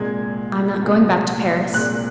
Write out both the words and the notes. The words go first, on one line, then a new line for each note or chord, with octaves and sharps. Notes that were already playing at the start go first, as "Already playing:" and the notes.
"I am not going back to Paris."
Already playing: C2 A#2 G#3 G#6
C2 A#2 G#3
C2 A#2 G#3 F#6